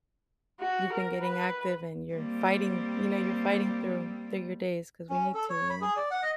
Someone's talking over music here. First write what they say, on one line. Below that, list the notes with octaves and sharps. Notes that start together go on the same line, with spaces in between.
you've been getting active and you're fighting, you know, you're fighting through through your days 'cause we need to, you know?
F#4
A#4
B4
G3 A#3 C4
C#4
A4
C#5
B5
G#4
D5
F#5
D#5